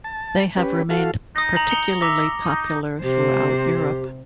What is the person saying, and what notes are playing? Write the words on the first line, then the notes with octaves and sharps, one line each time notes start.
They have remained particularly popular throughout Europe.
A5
C#4 G4 B4
F#4 A4 F5
D#4 D#6 A#6
A#5 F#7
C#7 F7 G7
E5 A#5 D6 A#6
D#4
C3 G4 C5